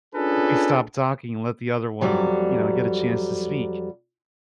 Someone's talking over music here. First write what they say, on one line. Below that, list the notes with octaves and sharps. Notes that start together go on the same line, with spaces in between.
we stop talking and let the other one, you know, get a chance to speak.
C#4 D4 F4 G#4 A4 B4
F2 F#3 G3